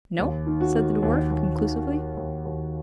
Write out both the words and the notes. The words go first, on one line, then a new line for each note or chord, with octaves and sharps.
"No," said the dwarf, conclusively.
D#2
D#3
F#4
D#3
D#2
D#2
D#3
D#3
D#2
D#2